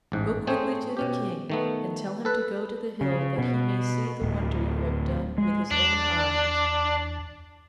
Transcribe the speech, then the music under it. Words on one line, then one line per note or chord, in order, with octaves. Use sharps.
Go quickly to the King, and tell him to go to the hill that he may see the wonder you have done with his own eyes.
A1 G#2
A3 C4 G#4 C5 C#5
B2 C#4 G4
D#3 A3 B3
A4 B4
C#3
B2
D1
G#3
E2 D4 A5